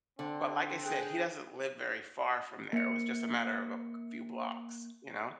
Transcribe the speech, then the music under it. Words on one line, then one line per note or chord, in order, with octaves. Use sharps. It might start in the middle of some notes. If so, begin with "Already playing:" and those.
But like I said, he doesn't live very far from there. It was just a matter of a c few blocks. You know,
D3 C4
G#4 G5 F#6
A#3 C#7